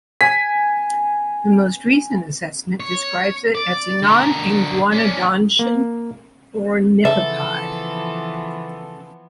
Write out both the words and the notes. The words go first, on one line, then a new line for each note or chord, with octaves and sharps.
The most recent assessment describes it as a non-iguanodontian ornithopod.
G#5 B6
C#5
D5
D3 A#4
C#4 D4
A#3
C#3 E3 F3 B3 A4 E5